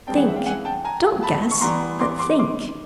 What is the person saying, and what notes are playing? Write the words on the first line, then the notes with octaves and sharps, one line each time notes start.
Think. Don't guess, but think.
E3 G#3 C4 G5 A5
F#5 G#5
E5 F#5
F5 G5
F#5 G#5
G5 A5
G#5 A#5
A5 B5
C#6
E3 G3 B3 A#5 C6
C6 D6
C6 D6
C6 D6